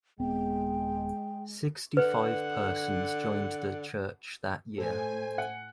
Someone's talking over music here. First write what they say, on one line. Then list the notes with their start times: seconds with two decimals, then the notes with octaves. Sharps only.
Sixty-five persons joined the church that year.
0.20 D#1 G#3 B3 C4 G5
1.97 D3 B4 F#5
4.78 A2 A4 C5 G#5
5.38 F#5